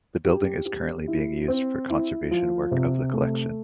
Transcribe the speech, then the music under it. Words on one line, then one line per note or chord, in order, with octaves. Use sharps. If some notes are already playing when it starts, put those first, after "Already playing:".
The building is currently being used for conservation work of the collection.
G4
G4
E4
C4
E4
F3
C3
A3